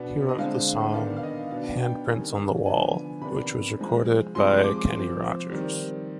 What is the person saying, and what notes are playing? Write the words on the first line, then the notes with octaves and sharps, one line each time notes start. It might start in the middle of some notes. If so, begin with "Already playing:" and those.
He wrote the song, "Handprints on the Wall", which was recorded by Kenny Rogers.
Already playing: B2 B3 D4
D#5
D3 G#3 C4 F5
D#3 B3 D4 F5
F5
D#5
B2 B3 D4 F5
G5
C3 D#3 G3 G#5
D3 F3 B3 D4 G#5
C3 D#3 B3 D4 B5
F3 G#3 C4
C3 F3 G#3 C6
D6
F3 C4
D#3 G3 C4